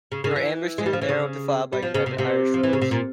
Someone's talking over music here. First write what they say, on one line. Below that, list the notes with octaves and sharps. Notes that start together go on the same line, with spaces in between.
They were ambushed in a narrow defile by United Irish rebels.
C#3
C#3
E3
G#3
G3
F3
E3
C#3
G3
F3
C#3
C3
C3
F3
E3
C#3
C3
A#2